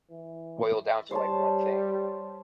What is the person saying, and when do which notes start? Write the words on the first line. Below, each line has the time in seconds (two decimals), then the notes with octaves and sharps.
boil down to, like, one thing.
0.10 E3
1.11 G3 C5 C#5 A5